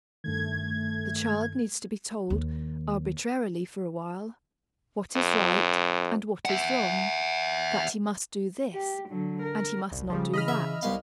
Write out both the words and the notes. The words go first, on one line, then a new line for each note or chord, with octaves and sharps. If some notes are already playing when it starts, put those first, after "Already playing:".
The child needs to be told, arbitrarily for a while, what is right, and what is wrong, that he must do this, and he must not do that.
G2 D#3 A3 G#6
D#2
F2
E5 F#5
G4
D3 F#3
A#4
D#1 C2
C#3 F3 G3
E3 D#5 B5 F6
E5
C2 B3 F5